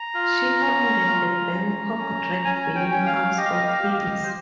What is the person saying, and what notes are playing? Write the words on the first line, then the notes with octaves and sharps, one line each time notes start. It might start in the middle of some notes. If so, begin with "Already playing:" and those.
She founded the Bangkok drag venue House of Heals.
Already playing: A#5
F4
C#4
F4
C#4
C#4
C#4 G#5
A#5
G#5
G5
C#4
F5
G4 D#5
F5
D#5
F5
G4
F5
D#5
C5